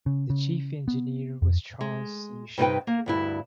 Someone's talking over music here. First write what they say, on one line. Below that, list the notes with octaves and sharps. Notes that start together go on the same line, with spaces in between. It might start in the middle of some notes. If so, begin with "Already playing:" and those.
The chief engineer was Charles C. Schneider.
C#3
C#3
B3
F2
G#3
G2 C3 D#4 F4 B4 G5
A#3
D2 G2 E4